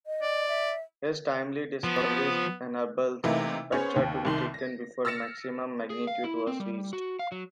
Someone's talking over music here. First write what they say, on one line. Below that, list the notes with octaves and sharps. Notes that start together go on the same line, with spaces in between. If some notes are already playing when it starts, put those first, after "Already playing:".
His timely discoveries enabled spectra to be taken before maximum magnitude was reached.
D#5
D5
E5
F3 B3
C3 E3 A3 A#3 D#4 E4
B3 C#4 G#4 C5 C#5
D#2
C2 D#3 C6
A#6
E6 F6 A6 A#6 C#7 E7
G#4
F5
E4
C4
G3
F#4
F5
F#3